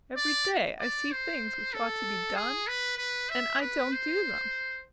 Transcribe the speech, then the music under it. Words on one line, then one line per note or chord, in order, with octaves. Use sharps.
Every day I see things which ought to be done, and I don't do them.
D5
D5
C5
A4
G#4
B4
B4
E5
B4
C5